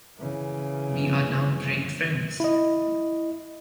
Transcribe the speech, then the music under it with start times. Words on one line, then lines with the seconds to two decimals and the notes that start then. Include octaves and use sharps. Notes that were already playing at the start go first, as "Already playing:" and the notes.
We are now great friends.
0.19 C#3 E3
2.40 E4 D#5